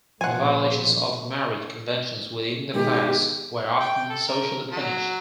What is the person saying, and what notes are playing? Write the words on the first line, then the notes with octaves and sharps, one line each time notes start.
Violations of marriage conventions within the class were often socially punished.
A#2 F3 F#5 G#5
B2 D#3 G#3 G4
G5
A4
A#4
F#3